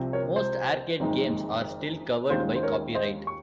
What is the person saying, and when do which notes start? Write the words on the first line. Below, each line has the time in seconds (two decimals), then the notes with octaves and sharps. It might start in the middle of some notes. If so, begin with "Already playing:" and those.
Most arcade games are still covered by copyright.
Already playing: C2 C3 F3 C4
0.13 A#4 C#5
0.36 C5
1.00 F#1 F2 D#3 G#3 D#4
2.30 D#2 D#3 G#3 C#4 F4 C5
2.56 C5
2.63 A#4 C#5
2.95 C5 D#5
3.27 C#6